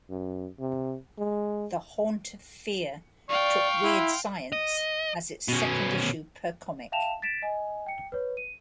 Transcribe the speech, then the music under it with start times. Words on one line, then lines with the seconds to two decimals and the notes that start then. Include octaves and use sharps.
"The Haunt of Fear" took "Weird Science" as its second issue per comic.
0.10 F#2
0.60 C3
1.19 G#3
3.29 D5 F5 G5 C#6
3.84 E4 C6
4.52 D#5
5.49 B2 C#4
6.92 E5 F5 G5 A5 E7 F7
7.22 A6 B6 D7 E7
7.42 D#5 G#5
7.86 G5 C#7
8.12 B4 C#5
8.37 D#7